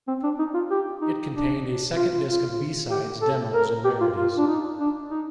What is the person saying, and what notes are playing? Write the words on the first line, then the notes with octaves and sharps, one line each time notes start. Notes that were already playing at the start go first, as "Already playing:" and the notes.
It contained a second disc of B-sides, demos and rarities.
C4
D4
D#4
F4
G4
D#4
D4
F4
F4
G4
A4
A#4
G4
F4
F4
D4
D#4
D4
D#4